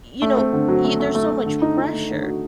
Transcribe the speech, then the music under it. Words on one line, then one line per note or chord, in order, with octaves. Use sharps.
you know, y there's so much pressure
A3
C4
D3
F#3
A3
A3
A3
A3
D3
D#4
D#4
A3
D3
F#4